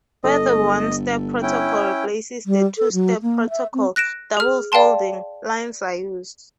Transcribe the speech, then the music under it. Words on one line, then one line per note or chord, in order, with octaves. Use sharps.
Where the one step protocol replaces the two-step protocol, "double folding" lines are used.
G1 A4 D#5
C#4 E4 G5
G3
A4
F#3
A#3
E5
C4
F#6 A#6 D7 E7
G#4 F6
D5 F5 G5 A5 C6